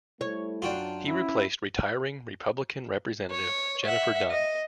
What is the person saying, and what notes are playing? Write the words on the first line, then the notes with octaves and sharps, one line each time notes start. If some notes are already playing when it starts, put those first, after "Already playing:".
He replaced retiring Republican representative Jennifer Dunn.
G3 A3 E4 C#5
F#2 D4 F4 F#4 G5
C#4 E4
C#5
E5 F#5
D#5